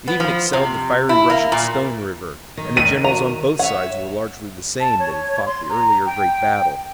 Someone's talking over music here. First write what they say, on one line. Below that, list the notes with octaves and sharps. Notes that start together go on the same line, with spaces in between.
It even excelled the fiery rush at Stone River, and the generals on both sides were largely the same that had fought the earlier great battle.
B3
F3
C3
E4
A#3
A#2
D#3
D#7
F#4 A#5
C#5 E5 F#5
A5
C#5
C6
A#5
G5